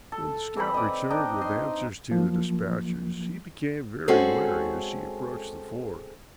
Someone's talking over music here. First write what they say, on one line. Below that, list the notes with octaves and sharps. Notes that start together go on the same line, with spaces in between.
When the scout returned with answers to the dispatches he became very wary as he approached the ford.
A4
E3 C4 A#5 B5
D5 D#5
D4 D#4 D#5 G5
D#5 C6
F3 F#3 A#3
G#3 C4 C#4 F#4 G#4 A4